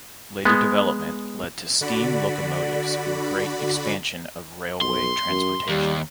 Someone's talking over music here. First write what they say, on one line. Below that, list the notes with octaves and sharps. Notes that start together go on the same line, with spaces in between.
Later development led to steam locomotives and great expansion of railway transportation.
G#3 B3
D3 F#4 D5 B5
B1 C6
F#2
D#2 G3